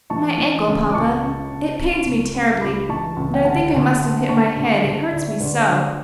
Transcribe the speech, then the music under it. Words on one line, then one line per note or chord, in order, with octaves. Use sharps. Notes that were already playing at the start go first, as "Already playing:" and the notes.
"My ankle, papa; it pains me terribly; and I think I must have hit my head, it hurts me so."
E3 A5 C#6
E3
C#3
D6
C#2 A5 C#6
C#3
C#3
C#3
C#2
C#3
C#2 B5 D6
E3 A5 C#6
C#2
G5
D3 F#5 A5
D2
D2
D3 A5 C#6
D2
D2
D2 D5
E5
D2 B4 D5
D3